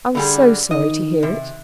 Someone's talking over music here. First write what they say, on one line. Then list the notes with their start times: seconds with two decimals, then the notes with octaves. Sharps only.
"I was so sorry to hear it."
0.15 D3 G3 G#4
0.71 D#3 D#5
1.23 C3